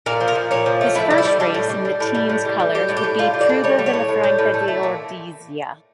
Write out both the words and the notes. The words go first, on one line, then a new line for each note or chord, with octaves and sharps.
His first race in the teams colours would be Prueba Villafranca de Ordizia.
A#2 A#4
F3
A#4
A#2
A#2 C#5
F3
A3
A2 E4
G3
E4
G3
G3 D4
A2
G3
G3
A2
G3
A2
G3
G3
G3 G4
A2
G4
A2
G3 F4
G3
D5
A2
G3 C#5
G3
C#5
A2
A2
G3
A2
A3
A3
A#2